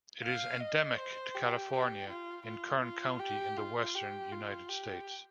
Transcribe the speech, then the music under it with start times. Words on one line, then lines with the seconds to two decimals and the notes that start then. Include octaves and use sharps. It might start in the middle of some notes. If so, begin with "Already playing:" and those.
It is endemic to California, in Kern County in the western United States.
0.23 F5
0.60 D#5
0.97 C5
1.35 G4
1.72 G4
2.09 F4
2.46 F4
2.83 F4
3.20 G4
3.57 F4
3.95 G4
4.32 F4
4.69 G4